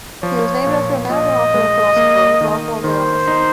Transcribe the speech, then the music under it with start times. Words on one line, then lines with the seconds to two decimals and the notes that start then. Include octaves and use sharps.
He was named after American author and philosopher, Ralph Waldo Emerson.
0.23 F3 C#5
0.66 A#2
1.10 A#2 D#5
1.54 G#3
1.96 A#3
2.41 D#3
2.84 D#3 C5
3.27 D#4